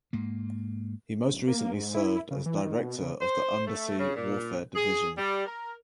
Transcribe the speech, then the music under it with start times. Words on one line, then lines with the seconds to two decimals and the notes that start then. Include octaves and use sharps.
He most recently served as Director of the Undersea Warfare Division.
0.13 G#2 A#3
1.31 D1
1.47 A#3
1.73 G#2
1.95 E4
2.31 C#3
2.46 E3
2.65 D#3
2.79 B2
3.01 C#3
3.22 C5
3.67 A3
3.98 C#3
4.16 A#2
4.76 G#4
5.18 G3
5.46 A#4